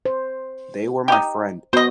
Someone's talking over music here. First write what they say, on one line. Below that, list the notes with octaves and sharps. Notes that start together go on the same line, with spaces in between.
They were my friend.
C5
D#4 G4
B3 F#4 C5 D#5